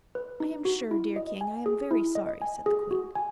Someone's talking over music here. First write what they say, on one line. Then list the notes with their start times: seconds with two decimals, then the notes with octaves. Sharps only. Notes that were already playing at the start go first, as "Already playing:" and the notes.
"I am sure, dear king, I am very sorry," said the queen.
0.15 B4
0.40 D#4
0.65 F#4
0.91 E4
1.16 D#5
1.41 G#5
1.66 G#4
1.91 E4
2.15 D#5
2.42 G#5
2.66 G#4
2.91 F#4
3.15 G#5